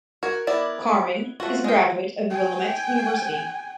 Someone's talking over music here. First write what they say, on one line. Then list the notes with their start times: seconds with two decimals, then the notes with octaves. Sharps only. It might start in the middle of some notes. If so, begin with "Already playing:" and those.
Carman is a graduate of Willamette University.
0.23 F#4 A#4 G#6
0.47 B3 E4 D5
1.40 A3 F4 F#4 F#5
1.64 G#3 G5
2.30 G5 G#5